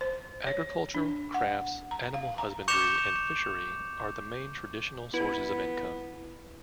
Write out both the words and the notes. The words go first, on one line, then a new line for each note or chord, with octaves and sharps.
Agriculture, crafts, animal husbandry and fishery are the main traditional sources of income.
C5
C#5
D4
F#5
A#5
F5
A#5
C#6 D6 G6 C#7 E7 F7
B3 E4